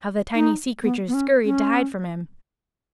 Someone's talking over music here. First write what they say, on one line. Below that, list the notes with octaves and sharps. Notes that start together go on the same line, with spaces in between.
How the tiny sea creatures scurried to hide from him.
D#4
B3
B3
C#4
C#4